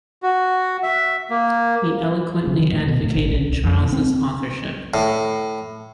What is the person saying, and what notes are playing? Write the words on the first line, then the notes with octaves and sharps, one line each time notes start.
He eloquently advocated Charles's authorship.
F#4
E5
A#3
C#3
D#3
A2
B2
A2
G#1
B1
C2
F2
B2
C4
A2